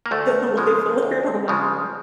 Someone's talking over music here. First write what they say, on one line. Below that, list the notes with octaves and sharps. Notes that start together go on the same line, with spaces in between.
Life alert on my phone.
A#3
D2 A3
C#3 F3 G#3
D2
C#3 F3 G#3